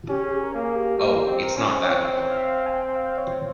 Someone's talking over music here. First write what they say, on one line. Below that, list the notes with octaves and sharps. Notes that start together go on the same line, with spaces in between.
Oh, it’s not that important.
C#4 G4
G#4
G4
A#4
A#3 G#4
G4
A#3 G4
G4
C4
A#4
C#4 C#5
C5
C4 C#5
F5
E5
F5
G#5
G5
F5
C#5